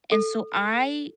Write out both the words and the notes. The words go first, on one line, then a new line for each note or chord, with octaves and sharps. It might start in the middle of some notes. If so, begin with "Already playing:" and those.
and so I
A4